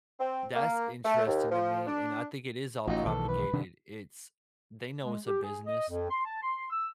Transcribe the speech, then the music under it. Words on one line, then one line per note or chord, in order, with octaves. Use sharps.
that's interesting to me and I think it is all propagated, it's they know it's a business,
C4
A#3
A3
D#2
F3
D4
A1 D#4 F4 F#4
B1 D#3 E3 A4
B4
C3 D#3 D4
G#3
G4
G#4
D#5
F2
C6
A5
C6
E6